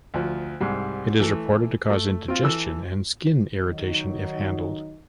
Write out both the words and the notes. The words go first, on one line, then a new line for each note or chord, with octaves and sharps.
It is reported to cause indigestion and skin irritation if handled.
D2 F3
C2 G#2 G3
E3 A3
A3
C4 F4
E3 A4 E6
D#3 F#3 D#4